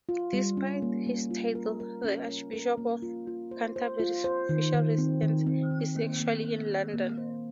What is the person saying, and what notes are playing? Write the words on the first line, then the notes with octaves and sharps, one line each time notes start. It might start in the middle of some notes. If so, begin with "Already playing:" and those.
Despite his title, the Archbishop of Canterbury's official residence is actually in London.
F4
G3
C#4
A#3
A#3
F4
A#4
A#4
C#4
A#4
A#4
A#3
F4
F4
C5
C5
F4
C5
D#3
D#3
C4
D#3
C4
D#3
A#3
A#3
A#3
A#3
A#3
C5